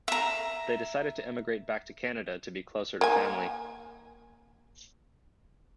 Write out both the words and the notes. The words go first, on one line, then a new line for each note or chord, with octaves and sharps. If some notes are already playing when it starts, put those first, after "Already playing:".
They decided to emigrate back to Canada to be closer to family.
E5 A#5
A#3 G#5